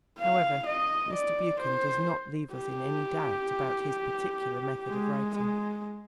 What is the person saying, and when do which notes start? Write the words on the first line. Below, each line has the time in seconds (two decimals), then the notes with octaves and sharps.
However, Mr. Buchan does not leave us in any doubt about his particular method of writing.
0.19 F5
0.66 D#5
1.13 D5
1.60 C5
2.54 G4
4.88 G#3
5.35 G#3